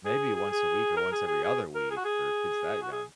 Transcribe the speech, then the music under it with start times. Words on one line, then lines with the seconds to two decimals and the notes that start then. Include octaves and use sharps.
Maybe once a week or once every other week for kids that young.
0.05 G#4
0.35 G#4
0.51 G#4
0.97 A#4
1.12 G#4
1.28 G#4
1.44 G#4
1.75 A#4
1.91 G#4
1.97 F#4
2.05 G#4
2.82 F#4
2.92 G#4